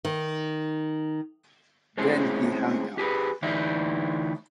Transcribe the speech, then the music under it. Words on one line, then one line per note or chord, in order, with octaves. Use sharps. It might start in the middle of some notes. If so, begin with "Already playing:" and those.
Then he hung up.
D#3
G#3 A3 C4 C#4 E4 G#4
G4 G#4 B4
D2 E3 D#4 E4 D5 E5